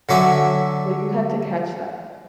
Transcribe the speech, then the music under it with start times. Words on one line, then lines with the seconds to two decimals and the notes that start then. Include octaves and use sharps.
So you had to catch that,
0.09 D3 F#3 D5 E5 G#5